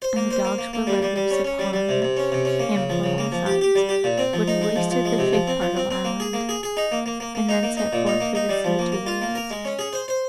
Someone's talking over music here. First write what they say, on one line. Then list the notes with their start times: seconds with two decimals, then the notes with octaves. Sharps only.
And the dogs were let loose upon him from all sides. But he wasted the fifth part of Ireland, and then set forth through the sea to Wales.
0.02 C5
0.16 A#3
0.31 C5
0.45 A#3
0.58 A#3
0.73 A#3
0.87 G3
1.02 G3
1.16 G3
1.31 C#4
1.44 C#4
1.59 G3
1.73 G3
1.89 C3
2.02 C3
2.17 C#4
2.32 C3
2.45 C#4
2.60 A#3
2.75 C#3
2.89 F3
3.04 C#3
3.18 A#3
3.32 F3
3.46 G4
3.61 G4
3.75 G3
3.89 G4
4.04 A#2
4.18 C4
4.33 F3
4.48 D#4
4.61 G#3
4.76 F3
4.91 F3
5.05 G#3
5.18 C3
5.33 F3
5.47 C4
5.62 F3
5.77 C4
5.91 C4
6.05 A#3
6.20 G#4
6.33 A#3
6.49 G#4
6.63 G#4
6.77 D#4
6.92 A#3
7.06 A#3
7.20 A#3
7.35 A#3
7.49 D#4
7.63 A#3
7.77 D#4
7.93 A#2
8.07 D#4
8.20 A#3
8.35 D#4
8.49 G3
8.64 F3
8.79 A#3
8.92 A#3
9.06 F4
9.21 A#3
9.35 A#4
9.51 G#3
9.65 C#4
9.79 G#4
9.93 C5
10.08 C5